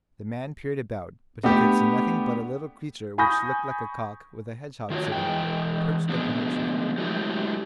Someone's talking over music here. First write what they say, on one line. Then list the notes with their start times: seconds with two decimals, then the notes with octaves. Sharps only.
The man peered about, but he could see nothing but a little creature which looked like a cock with a hedgehog sitting on it, perched up in a tree.
1.43 A3 B3 D4 G4
3.18 G#5 B5 C#6 D#6 G6 A#6
4.90 D#3 F4 F#4 C#5
5.12 E3 G#3 G5
6.09 D3 F3 G#3 B3 D4
6.98 F#3 G#3 A3 D4 E4 G4